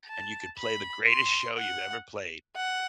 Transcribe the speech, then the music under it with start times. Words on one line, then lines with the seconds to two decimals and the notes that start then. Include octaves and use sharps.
and you could play the greatest show you've ever played,
0.09 A5
0.58 B5
1.08 C6
1.58 F#5
2.57 F#5